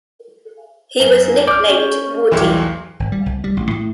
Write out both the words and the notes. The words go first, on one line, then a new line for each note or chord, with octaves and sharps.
He was nicknamed "Woody".
F#2
D5 F6 G6
C#4
B1 E2 A2 E3 G3
G#1
G3
C2
G3
A1
A2